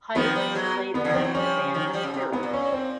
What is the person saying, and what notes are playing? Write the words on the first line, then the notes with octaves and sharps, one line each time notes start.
Hiatus played there with the band Speereth.
D#3 F3 B3
F3 G3
F#3 G#3
D3 B3
D3 E3
D#3 F3 C4
E3 F#3
F3 G3 C#4
D#3 F3
F#3
F3 G3
C#3
C3
G#2 B3
A#2
C#4
C4